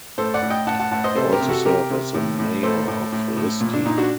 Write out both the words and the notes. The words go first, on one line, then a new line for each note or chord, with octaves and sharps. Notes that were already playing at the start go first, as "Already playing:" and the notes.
He also serve as the mayor of Risti.
A2 A4 C5
D5 F#5
A2
D#5 G5
A2 F#5 A5
F#5 A5
A2 F#5 A5
C5 D#5
C3 A4 C5
G4 A#4
C3
F#4 A4
C3 G4 A#4
C3
A2
A2
A2 A4 C5
A2
A2
A2
A#2
D4
A#2 D#4
D4 F#4